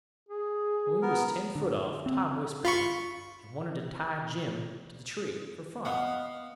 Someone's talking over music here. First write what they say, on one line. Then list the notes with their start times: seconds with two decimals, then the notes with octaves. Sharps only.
When we was ten foot off Tom whispered to me, and wanted to tie Jim to the tree for fun.
0.29 G#4
1.02 B3 A#4
1.55 D3
2.06 C4
2.65 F4 B5 C#6
5.85 B3 D#5 F5 F#5